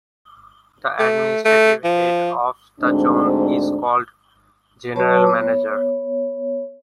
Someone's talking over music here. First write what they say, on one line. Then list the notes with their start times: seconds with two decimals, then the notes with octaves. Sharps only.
The administrative head of the zone is called General Manager.
0.99 A3
1.45 A3
1.84 F3
2.81 D2 G#2 C4 D4
4.96 F#3 F#4 B4 C#5 A5 C#6
5.27 B3 C#5